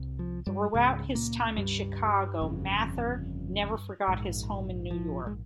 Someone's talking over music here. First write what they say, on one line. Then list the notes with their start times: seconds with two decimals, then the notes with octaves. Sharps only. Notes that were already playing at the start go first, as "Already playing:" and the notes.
Throughout his time in Chicago, Mather never forgot his home in New York.
Already playing: C2 C3
0.19 F3
0.47 G2 G3
0.74 C#2 G#2 C#3 G#3
1.15 A#2 A#3
1.57 G2 G3
2.41 G1 F2 C#3
4.08 A#1 G#2
4.91 F3
5.27 G#3